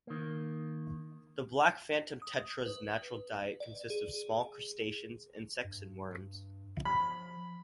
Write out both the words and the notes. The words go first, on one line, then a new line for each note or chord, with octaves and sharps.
The black phantom tetra's natural diet consist of small crustaceans, insects, and worms.
D#3 A#3
D#6
B4
D5
G#4
G2
F3 B5